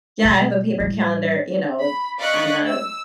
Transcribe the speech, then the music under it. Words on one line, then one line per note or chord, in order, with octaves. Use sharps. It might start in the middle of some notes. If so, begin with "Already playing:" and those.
Yeah, I have a paper calendar, you know, on the,
B2
A2 G3
B5
D5 D#5 F5 C#6 F#6 B6
E6